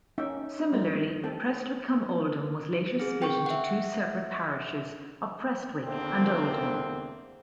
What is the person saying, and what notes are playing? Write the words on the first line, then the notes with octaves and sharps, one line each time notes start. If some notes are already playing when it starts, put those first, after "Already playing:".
Similarly, Prestwich-cum-Oldham was later split into two separate parishes of Prestwich and Oldham.
A#3 C#4 D#4 E5 G5
G3 A#4
A3 C4 A4 G5 A5
C4 G#4
G5 C#6
E5 F#5
E2 D3 A#3 C4